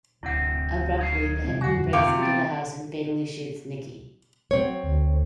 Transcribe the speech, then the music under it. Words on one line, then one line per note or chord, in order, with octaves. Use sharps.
Abruptly, the hitman breaks into the house and fatally shoots Nicki.
D1 G2 C3 C4 E4 F#5
D#4 C#5 F5
C3 G#3 C4
D#1 F2 D3 F#4 F#5 G#5
C3 A#3 F4 E5 G5 C#6 D6
B3 C4 D5 G5
F#3 C4 C#5
D2